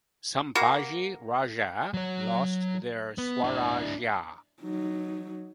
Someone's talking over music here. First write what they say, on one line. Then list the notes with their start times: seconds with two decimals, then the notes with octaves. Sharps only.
Sambhaji Raje lost their Swarajya.
0.55 A#3 F#4 A#5
1.94 F#3 C#5
3.18 B3
3.44 D4 E4
4.62 F#3 D#4